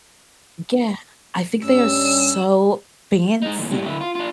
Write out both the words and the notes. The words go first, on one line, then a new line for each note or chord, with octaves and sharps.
Yeah. I think they are so fancy.
G2 G3 C#4 E6
G#3 D#4
D#2 A2
A2 G3
D3 E4
F4
D4 F4